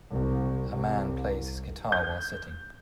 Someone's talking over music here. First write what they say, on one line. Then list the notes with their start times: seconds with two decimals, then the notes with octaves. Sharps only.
A man plays his guitar while sitting.
0.12 C2
0.71 C2
1.92 G6